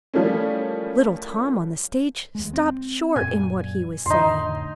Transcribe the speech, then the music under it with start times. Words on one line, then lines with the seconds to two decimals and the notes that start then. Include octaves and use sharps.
Little Tom on the stage stopped short in what he was saying.
0.14 E3 F3 G3 A3 A#3 C#4
2.35 D#2 G#3
2.53 C4
3.16 F#2 A#2 G#5
4.06 F2 A2 D3 D#4 C6